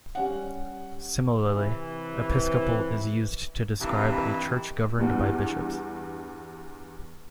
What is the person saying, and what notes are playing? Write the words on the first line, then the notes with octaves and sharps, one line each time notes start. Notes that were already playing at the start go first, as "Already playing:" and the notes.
Similarly, "episcopal" is used to describe a church governed by bishops.
G3 C#4 F#5
C3 E3
G2 C3 D#3 E3
E2 G2